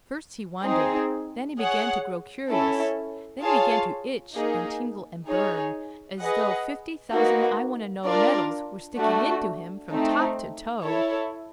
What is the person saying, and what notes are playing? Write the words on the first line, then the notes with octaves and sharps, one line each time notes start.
First he wondered; then he began to grow curious; then he began to itch and tingle and burn as though fifty thousand I-want-to-know nettles were sticking into him from top to toe.
C4 D#4 G#4
G#4 C#5 F#5
C#4 E4 A4
F4 G#4 C#5 F5 A5
A#3 D#4 G#4
D#4 G#4 C#5
G#4 B4 D#5 F#5
A#3 D#4 F#4 B4
D4 F4 A#4 D5
A3 D4 F#4
A3 C4 D#4
E4 A4 C#5